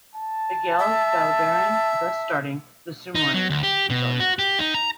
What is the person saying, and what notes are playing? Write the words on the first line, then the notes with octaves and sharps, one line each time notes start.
Miguel Balberan, thus starting the Sumuroy Rebellion.
A5
E5
D#4
F#3
D2
G4
B2
F#4
G4
D#4
A#5